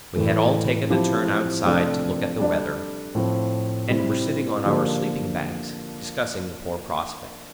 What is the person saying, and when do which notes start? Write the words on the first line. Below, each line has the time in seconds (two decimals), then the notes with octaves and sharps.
We had all taken a turn outside to look at the weather, and were sitting on our sleeping-bags discussing the poor prospect.
0.15 A2 E3 A3
0.90 F3 C4 E4 G4
1.65 C3 F3 A3 D4 F4
2.39 G3 D4 A4 D5
3.15 A2 F3 C4
3.90 C3 G3 C4 E4
4.64 D3 F3 A#3 D4 G4